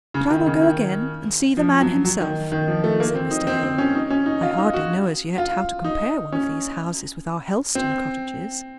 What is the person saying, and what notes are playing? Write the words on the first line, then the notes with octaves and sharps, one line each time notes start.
'But I will go again, and see the man himself,' said Mr. Hale. 'I hardly know as yet how to compare one of these houses with our Helstone cottages.
C#3
D#3
C#3
D#3
F3
F#3
F#3
D#3
D#3
F3
A3
A#3
C4
D#4
C4
C4
C#4
D#4
C#4
D#4
F4
D#4
F#4
F4
D#4
C#4
C4